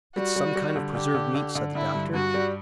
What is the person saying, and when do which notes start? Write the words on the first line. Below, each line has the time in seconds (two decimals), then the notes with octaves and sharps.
"It's some kind of preserved meat," said the doctor.
0.16 G3 F#4
0.36 G3
0.56 G3
0.76 D3
0.95 D3 G4
1.15 D3
1.35 D3
1.55 D3
1.75 D3 E4
1.94 G2
2.14 G2 F#4
2.34 G3